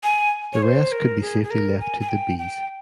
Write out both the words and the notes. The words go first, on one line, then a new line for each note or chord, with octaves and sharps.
The rest could be safely left to the bees.
G#5
C#5
C5
A#4
G#4
G#4
A#4
G#5
G#5
G5
G5